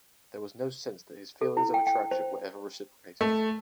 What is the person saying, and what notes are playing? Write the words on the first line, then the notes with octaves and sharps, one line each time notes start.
There was no sense that his feelings of attraction were ever reciprocated.
A4
E4
G5
G5
C5
A3